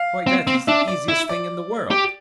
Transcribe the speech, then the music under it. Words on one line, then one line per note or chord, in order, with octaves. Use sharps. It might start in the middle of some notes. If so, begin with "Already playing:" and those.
Why, that is the easiest thing in the world.'
Already playing: F5
C4
C4
D4 E5
D5
E4 E5
D5
G4